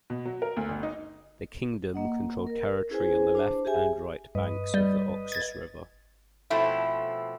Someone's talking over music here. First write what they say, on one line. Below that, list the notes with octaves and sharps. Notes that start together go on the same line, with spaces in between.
The kingdom controlled territory on the left and right banks of the Oxus River.
B2
F#3
A#4
D2
G1
D#4
A#3 D#5 F#5
A#4
C#4 E4 G#4 B4 C5 G#5
D4 C5 A5
G4 G#4 E5 G#5
G2 B4 D#5
G3
G#6 A6
B2 F3 A3 C4 E4